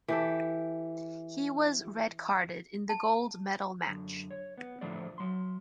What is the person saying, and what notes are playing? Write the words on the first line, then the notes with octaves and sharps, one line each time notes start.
He was red-carded in the gold medal match.
E3 G4 A4
A5
F#2 D3
C#5
B3
A2 D3 F3 A3 C5 D5
F#3 C6